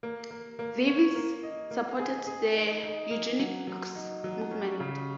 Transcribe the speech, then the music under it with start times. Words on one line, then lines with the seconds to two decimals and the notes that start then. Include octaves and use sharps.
Davis supported the eugenics movement.
0.03 A#3
0.31 A#3
0.59 A#3
0.87 C#5
1.15 A#3
1.43 D#5
1.71 A#3
1.99 G#4
2.27 G#4
2.55 D#4
2.83 D#4
3.11 A#3
3.39 F#3
3.67 F#3
3.95 D#4
4.24 F#3
4.51 C#4
4.80 C#3